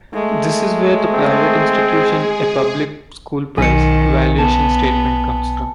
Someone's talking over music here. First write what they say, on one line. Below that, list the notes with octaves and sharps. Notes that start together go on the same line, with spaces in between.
This is where the "private institution a public school price" valuation statement comes from.
G#3 A3
C4 G#4
B1 D#3 G#5 C#7
B3 A5